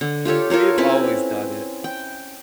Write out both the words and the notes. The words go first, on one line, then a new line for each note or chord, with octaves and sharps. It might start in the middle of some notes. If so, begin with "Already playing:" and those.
we've always done it.
D3
F4 G4 A4 C#5
F4 A4 A#4 C#5
C4 C#4 E4 B4
G5